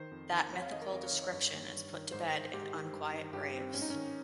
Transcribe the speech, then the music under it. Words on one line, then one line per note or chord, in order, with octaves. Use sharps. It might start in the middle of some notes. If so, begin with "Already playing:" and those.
That mythical description is put to bed in "Unquiet Graves".
Already playing: D#3 C5
F2
D#3
C5
F2 C#5
F5
D#3 D#5
A#4
F2 C#5
C#5
D#3
C#5
G2
D#3
G2
D#3
G#2 C5
D#3
G#2 G4
D#3
G2
D#3
G2 G4
D#3 C4
G#2 C#4
D#4
D#3 C#4